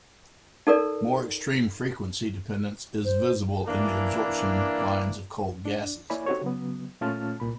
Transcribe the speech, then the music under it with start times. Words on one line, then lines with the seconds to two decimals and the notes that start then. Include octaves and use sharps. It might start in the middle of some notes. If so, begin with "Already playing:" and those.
More extreme frequency-dependence is visible in the absorption lines of cold gases.
0.67 D#4 A4 A#4 D5
3.04 C5
3.67 E3 A#3 D4
5.65 D4
6.10 A#3 E4 C#5 D5 G#5 B5
6.26 C4 D#4 F#4 G4 A4 C#5
6.42 C#3 F#3 B3
7.01 A#2 A3 C#4 F4 A5 F6
7.40 C2 A#2 B5